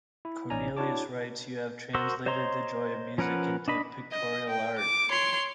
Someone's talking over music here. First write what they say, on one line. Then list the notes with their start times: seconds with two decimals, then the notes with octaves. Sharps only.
Cornelius writes, You have translated the joy of music into pictorial art.
0.25 E4
0.50 A1 C#4 D#4 D5 G#5 A#5
0.77 D4 E4 F#4 C#5 A5 D6
1.95 F#4 A#4 C5 C6 E6
2.26 C5 C#5 D#5 A#5 C6
3.18 F3 C#4 A#4 B4 F#5
3.68 D4 D#5 B5
4.12 D#5
4.49 G5
4.79 D6
5.10 C#5 C6